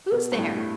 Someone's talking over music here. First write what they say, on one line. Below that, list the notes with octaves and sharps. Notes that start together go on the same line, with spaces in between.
Who's there!
B2
G2
A2
A2